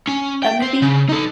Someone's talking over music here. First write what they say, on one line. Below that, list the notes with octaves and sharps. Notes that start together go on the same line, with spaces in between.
a movie?
C#4
G5
C4
C#3
D#4 A4